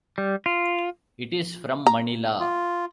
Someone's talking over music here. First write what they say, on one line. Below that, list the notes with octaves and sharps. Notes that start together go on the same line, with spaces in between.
It is from Manila.
G3
F4
A#5
F4